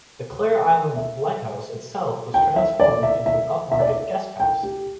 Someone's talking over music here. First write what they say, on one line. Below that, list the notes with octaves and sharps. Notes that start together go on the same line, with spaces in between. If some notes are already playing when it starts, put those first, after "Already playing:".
The Clare Island Lighthouse itself was transformed into an upmarket guesthouse.
E5
G5
E5
D5
E5
E5
E5
D5
E5
G5
G4